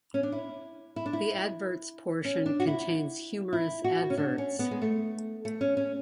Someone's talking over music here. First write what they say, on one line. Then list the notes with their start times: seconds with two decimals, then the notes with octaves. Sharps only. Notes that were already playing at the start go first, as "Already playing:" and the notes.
The "Adverts" portion contains humorous adverts.
0.14 C#4
0.23 D4
0.32 E4
0.96 E4
1.06 D4
1.13 E4
2.25 C#4
2.46 D4
2.60 F#4
2.67 E4
3.53 E4
3.84 F#4
4.10 C#4
4.17 D4
4.38 C#4
4.59 B3
4.71 G#3
4.82 A3
5.45 A3
5.61 C#4
5.77 C#4